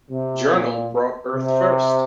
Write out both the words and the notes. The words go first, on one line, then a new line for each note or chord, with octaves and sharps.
Journal brought Earth First!
C3
A#2
C3